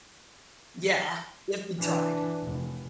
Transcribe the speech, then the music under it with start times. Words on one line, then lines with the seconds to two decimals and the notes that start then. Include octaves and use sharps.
Yeah, if you tried.
1.78 E3 D4
2.42 F1